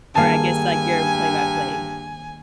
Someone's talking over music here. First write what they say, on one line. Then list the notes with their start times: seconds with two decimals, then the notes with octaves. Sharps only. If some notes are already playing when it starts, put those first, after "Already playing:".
Or I guess like your play-by-play.
0.15 G2 D#3 G3 A#3 D4 G#4 G#5 A5